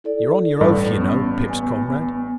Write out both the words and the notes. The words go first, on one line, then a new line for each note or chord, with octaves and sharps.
"You're on your oath, you know, Pip's comrade?"
E4 A4 D5
A1 G2 G3
B3 C#4
B3 G#5